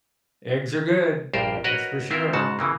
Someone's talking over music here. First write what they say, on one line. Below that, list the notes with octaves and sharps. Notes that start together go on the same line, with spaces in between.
Eggs are good, that's for sure.
A#1 G2 F4 G4 A#4 C5
F#4 A#4 B4 C#5 D#5 F#5
C4 E4 F4 A#4 C5
G#2 C#3 F#4 A5
C#3 E3 A#3